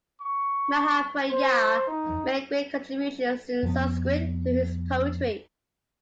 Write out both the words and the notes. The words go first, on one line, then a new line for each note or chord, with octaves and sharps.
Mahapragya made great contributions to Sanskrit through his poetry.
C#6
C5
D#4
F2 B3